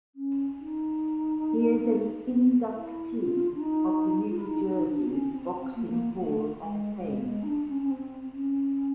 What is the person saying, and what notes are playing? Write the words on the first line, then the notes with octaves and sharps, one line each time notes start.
He is an inductee of the New Jersey Boxing Hall of Fame.
C#4
D#4
E4
F4
D4
D#4
F4
E4
D#4
D#4
D4
C#4
C4
A#3
A3
A#3
A3
G#3
G3
G#3
G#3
D#4
D4
C#4
C#4
C4
C#4